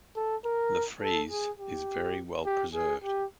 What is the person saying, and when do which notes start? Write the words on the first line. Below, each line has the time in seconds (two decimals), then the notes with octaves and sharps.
The frieze is very well preserved.
0.16 A4
0.45 A#4
1.02 A4
1.31 G#4
1.60 G4
2.46 G4
2.75 G#4
3.04 G4